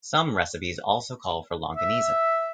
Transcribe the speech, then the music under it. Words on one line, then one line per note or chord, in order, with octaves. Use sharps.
Some recipes also call for longaniza.
E5